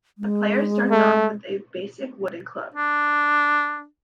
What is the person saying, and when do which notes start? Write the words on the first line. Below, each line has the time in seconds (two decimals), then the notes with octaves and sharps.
The player starts off with a basic wooden club.
0.18 G#3
0.91 A3
2.74 D4